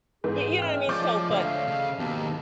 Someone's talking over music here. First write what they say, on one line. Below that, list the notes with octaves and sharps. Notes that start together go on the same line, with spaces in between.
Y you know what I mean? So but
G#2 E3 B3 G#4
G#3 A3 C#4 G5 F6
F3 D5 D6 G6 A6
D2 A4 C5 C#5 D#5 F5
C#3
D#2 G#2 B2 G4 A5